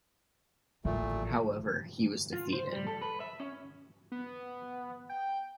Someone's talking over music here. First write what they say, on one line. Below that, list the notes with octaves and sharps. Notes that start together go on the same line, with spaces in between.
However, he was defeated.
A1 A#2 A3
F4
C5
G3
A4
B4
E5
C#4
B3
G5